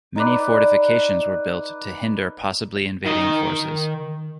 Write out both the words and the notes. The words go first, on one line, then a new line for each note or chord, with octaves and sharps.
Many fortifications were built to hinder possibly invading forces.
D#4 B4 D5
D#3 D#5